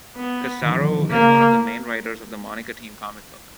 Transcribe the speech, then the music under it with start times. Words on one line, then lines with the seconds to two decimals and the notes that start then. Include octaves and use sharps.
Cassaro is one of the main writers of the Monica Teen comic book.
0.16 B3
0.62 D#3
0.72 F3
0.80 D#3
0.89 F3
0.99 D#3
1.10 C#3 A#3